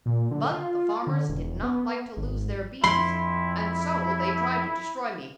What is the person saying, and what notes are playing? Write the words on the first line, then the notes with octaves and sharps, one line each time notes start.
But the farmers did not like to lose their bees and so they tried to destroy me.
A#2
D3
F4
D3
E1
B3
G#1
F2 E4 B5 C6